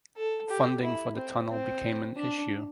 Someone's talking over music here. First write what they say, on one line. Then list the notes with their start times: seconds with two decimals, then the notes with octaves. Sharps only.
Funding for the tunnel became an issue.
0.17 A4
0.49 G4
0.83 E4
1.17 C4
1.50 C4
2.17 D4